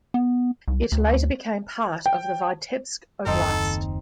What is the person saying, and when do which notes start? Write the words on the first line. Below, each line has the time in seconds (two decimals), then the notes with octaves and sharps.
It later became part of the Vitebsk oblast.
0.14 B3
0.68 C2
0.92 D2
2.06 G5
3.27 F#1 D#2 C4 D#4 A4